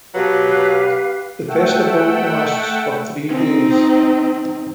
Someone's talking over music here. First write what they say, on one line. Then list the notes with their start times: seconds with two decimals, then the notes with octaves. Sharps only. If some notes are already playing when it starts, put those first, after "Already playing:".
The festival lasts for three days.
0.14 B2 F#3 G4 B4 F5 F#6
1.48 A3 F#5 G5 E6
3.29 C4 D#4